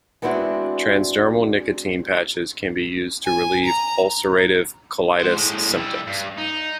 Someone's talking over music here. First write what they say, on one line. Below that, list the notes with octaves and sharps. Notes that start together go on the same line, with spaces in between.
Transdermal nicotine patches can be used to relieve ulcerative colitis symptoms.
G#3 B3 C4 D4 E4 F#4
G#5
A#5
G#3 C5
A2 G#3
G3 E4
G2
D#4